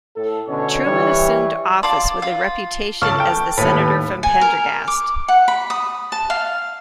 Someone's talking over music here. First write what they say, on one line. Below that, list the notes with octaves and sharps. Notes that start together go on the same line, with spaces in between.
Truman assumed office with a reputation as the Senator from Pendergast.
A2 A4
B2 D3 C#4 C#5
E3 G3
F4 D5 A5 C6
F4
C#2 F5 A5 C#6 F6
A4 G5
D#2 A2 B4
G#5
A#4
D6
F#5
B5
D#6
A5
F5